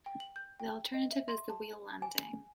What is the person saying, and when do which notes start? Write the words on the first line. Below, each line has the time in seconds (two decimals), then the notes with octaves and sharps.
The alternative is the "wheel landing".
0.06 G5
0.20 F#7
0.36 G6
0.60 G5
0.94 D#5
1.12 E5
1.28 C6
1.50 A5
2.02 G#5